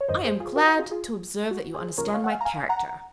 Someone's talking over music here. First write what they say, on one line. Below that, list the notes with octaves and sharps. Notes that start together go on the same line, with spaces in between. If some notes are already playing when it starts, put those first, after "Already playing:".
'I am glad to observe that you understand my character.
C#5
G#1 F#2 D#3 F#3 C5 D#5
G#4 C5
F4 G#4
F#4 A#4
F#4
F4 G#4
F4 G#4
F#4
G#4 C5
D#2 C#3 F3 A#4 C#5
D#5
C#5 F5
F#5
F5 G#5
A#5
F5 G#5
F#5 A#5